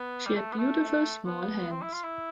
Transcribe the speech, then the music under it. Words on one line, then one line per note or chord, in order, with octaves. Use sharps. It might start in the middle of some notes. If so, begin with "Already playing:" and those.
She had beautiful small hands.
Already playing: B3
G3
A3
B3
A3
B3
C4
E4
F4
E4